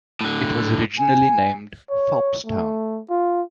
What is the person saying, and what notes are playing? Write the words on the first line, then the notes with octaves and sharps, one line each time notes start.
It was originally named Phelpstown.
A2 D3
G#5
C#5
A3
F4